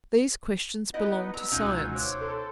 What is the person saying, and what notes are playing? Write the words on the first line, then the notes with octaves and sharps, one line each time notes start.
These questions belong to Science.
B3 D#4 E4 D#5 F#5
A#5 E6
C#2 B2 C#4 D#4 F4 F#4 F5 G#5
C5 C#5 D6 F#6
A4 C6